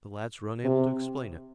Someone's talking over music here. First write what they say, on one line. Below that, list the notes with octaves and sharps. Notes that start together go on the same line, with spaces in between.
The lads were unable to explain it.
C3